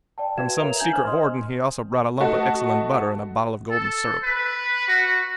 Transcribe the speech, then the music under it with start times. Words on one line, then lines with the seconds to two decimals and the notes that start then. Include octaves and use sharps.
From some secret hoarding he also brought a lump of excellent butter and a bottle of golden syrup.
0.18 D5 G5 A5
0.37 F#4 B4 F5 G#6 E7
0.58 A#4 C#5 E5 A#5 E7 F7
0.78 D4 G#5 G6 G#6 F#7
0.93 C5 F6
1.07 D#5 C6 D#6
2.20 A3 F#4 D#5 A5
3.71 A4
4.23 B4
4.88 F#4